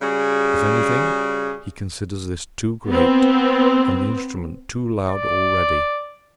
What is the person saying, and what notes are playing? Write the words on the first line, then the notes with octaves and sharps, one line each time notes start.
If anything, he considers this too great and the instrument too loud already.
C#3 G3 F#4 G#4
B3 C4
D5